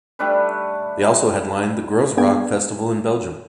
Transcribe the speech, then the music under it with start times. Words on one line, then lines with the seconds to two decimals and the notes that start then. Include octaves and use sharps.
They also headlined the Groezrock festival in Belgium.
0.19 G3 A3 D4 B4
2.17 A#3 B3 D4 G#4 G5 G#6